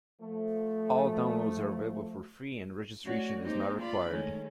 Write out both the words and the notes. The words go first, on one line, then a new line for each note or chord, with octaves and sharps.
All downloads are available for free and registration is not required.
F3 A3
A3 C#4 F#4 C#5 D5
G#3 A#3 C4 D#4 G4
F4 D5 B5
D#3 G#3 A3 C#4